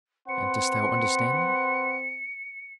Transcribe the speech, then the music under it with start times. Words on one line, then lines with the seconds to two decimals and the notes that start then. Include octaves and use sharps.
"And dost thou understand them?"
0.28 C4 B4 F#5 C6 C#7